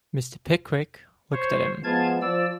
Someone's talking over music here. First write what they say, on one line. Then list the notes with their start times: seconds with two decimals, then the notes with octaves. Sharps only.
Mr. Pickwick looked at him.
1.33 C5 C#5
1.83 F3 G#3 B3 F4 A5 G#6
2.21 F3 D5 E6